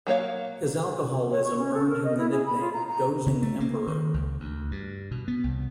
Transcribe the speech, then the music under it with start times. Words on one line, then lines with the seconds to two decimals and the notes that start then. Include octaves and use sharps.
His alcoholism earned him the nickname "Dozing Emperor".
0.07 F#3 A#3 C#5 F5
1.31 C#5
1.44 C#6
1.59 C#4
1.73 A4
1.89 A#4
2.04 D#5
2.18 E4
2.31 G#4
2.46 B5
2.60 F4
2.73 A#5
2.87 A#5
3.26 C#3
3.42 A3
3.60 A#3
3.87 D#3
4.14 C#2
4.40 D2
4.71 G2
5.11 B2
5.28 B3
5.44 C2